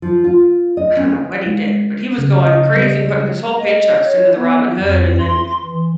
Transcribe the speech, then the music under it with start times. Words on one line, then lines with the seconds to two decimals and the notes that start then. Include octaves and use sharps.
I don't know what he did, but he was going crazy putting his whole paychecks into the Robinhood, and then
0.02 F3
0.24 F4
0.77 D#5
0.97 C#4
1.46 G#3
2.18 C#3
2.39 D#5
2.75 G3
3.03 G#3
3.59 D#5
4.06 C#5
4.36 B3
4.81 F2
5.19 C6
5.64 E3